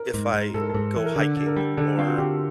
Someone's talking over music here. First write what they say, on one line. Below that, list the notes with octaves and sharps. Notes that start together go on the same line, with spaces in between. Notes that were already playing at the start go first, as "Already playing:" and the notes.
if I go hiking or,
Already playing: A#4
G#2
G#2
G#2 A4
A#4
G#2 A4
E3
A#4
D3 A4
D3
A4
A#4
G3
D3 A4
C4 F4
F#4
D3 G4